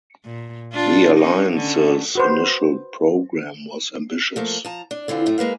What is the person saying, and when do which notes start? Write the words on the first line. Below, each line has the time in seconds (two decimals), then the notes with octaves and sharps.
The Alliance's initial program was ambitious.
0.25 A#2
0.73 D4 F4
1.18 C#4 D#4
1.53 D3 C#4
2.15 F#4 B4 C5
4.36 F3 A3 A#3
4.64 F3 A5 A#5
4.91 D4
5.08 D3 E3 C4 F4
5.26 F#2 A2 A3 F#4
5.38 G#3 A#3 B4 F5